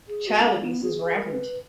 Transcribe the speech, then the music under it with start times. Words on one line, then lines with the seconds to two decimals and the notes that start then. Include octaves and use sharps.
Child abuse is rampant.
0.08 G#4
0.27 F#4
0.40 C#4
0.46 D#4
0.64 B3
0.83 G#4
1.03 G#4
1.16 A#4
1.29 B4